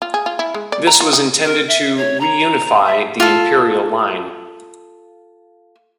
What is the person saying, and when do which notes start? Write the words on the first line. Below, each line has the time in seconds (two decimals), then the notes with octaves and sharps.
This was intended to reunify the Imperial Line.
0.02 F4
0.14 G#4
0.26 F4
0.39 E4
0.54 G#3
0.72 D5
0.87 A#5
1.00 F4
1.13 D#4
1.43 A#4
1.68 E5
1.97 C#5
2.21 A#5
2.85 E5
3.20 F4 A4